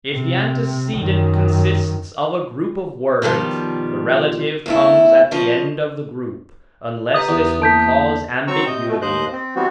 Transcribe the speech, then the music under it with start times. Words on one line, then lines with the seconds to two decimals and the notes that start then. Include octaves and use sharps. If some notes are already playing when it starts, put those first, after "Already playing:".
If the antecedent consists of a group of words, the relative comes at the end of the group, unless this would cause ambiguity.
0.13 C3
0.98 F#2 D#3
3.22 B2 D#3 F3 G3
4.66 E2 A3 E4
5.31 C#3 F3 D#5
7.14 G4 B4 A#5 D#6
7.29 E2
7.62 A#3 A5 G6 B6
8.47 F#3 C4 A#5 C#6 E6
8.67 C3 D#5 G6
8.89 B2 A3
9.02 D#2 C5 D#5 F#6 G6
9.32 C4
9.56 E3 G3 B3 C4 F#4